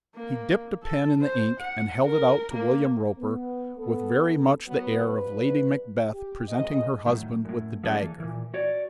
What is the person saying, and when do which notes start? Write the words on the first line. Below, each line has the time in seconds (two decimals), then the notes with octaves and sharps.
He dipped a pen in the ink and held it out to William Roper with very much the air of Lady Macbeth presenting her husband with the dagger.
0.15 A#3
0.83 A4
1.22 C5
1.59 F#5
2.04 A#4
2.53 A#3
3.17 B3
3.78 B3 A4
4.65 F#3 B3
5.05 F3 G3 B4
6.13 G4
6.47 F2 D#3 G#3 D#5
7.06 F#2 A2 D#3
7.45 F#2 A2
7.83 F3 G3 A3 C#4 G#4 A4
7.98 E3
8.20 A#2 E3
8.54 F#4 C#5 D5